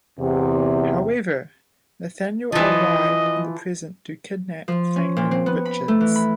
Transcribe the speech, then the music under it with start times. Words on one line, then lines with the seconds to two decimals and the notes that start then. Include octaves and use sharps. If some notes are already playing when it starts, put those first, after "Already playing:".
However, Nathaniel arrived in the present to kidnap Franklin Richards.
0.20 E2 C3
2.52 E3 F3 D#5
4.68 F3
4.96 C#4
5.17 A#2
5.31 C4
5.46 B3
5.65 B5
5.88 A3
6.00 E3
6.16 B5